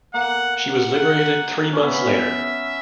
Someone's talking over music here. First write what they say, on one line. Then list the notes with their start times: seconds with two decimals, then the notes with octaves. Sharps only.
She was liberated three months later.
0.14 A#3 F#5
0.56 F#5
1.73 C#4
1.83 B3 E5